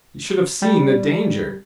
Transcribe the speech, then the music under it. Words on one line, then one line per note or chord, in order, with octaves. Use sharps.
"You should have seen the danger."
G3